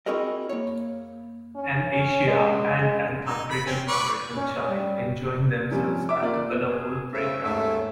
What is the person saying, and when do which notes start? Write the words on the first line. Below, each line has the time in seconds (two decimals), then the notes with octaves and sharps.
An Asian and an African American child enjoying themselves at a colorful playground.
0.06 C4 E4 F#4 G#4 A#4 D#5
0.49 A#3 C#5
1.55 C#4
1.92 C#4
2.27 G#3
2.79 G#3
3.25 D#4
3.50 B5
3.66 C4 C#4
3.88 B4 D5 C#6
4.35 C#4
4.67 G3
5.71 C3 F3 G3 C#4
6.09 E5 D6
6.22 A#3 F4 D5
6.69 G#4
7.13 C#3 C5 E5
7.44 D#2 G#2 A3 C#5 E5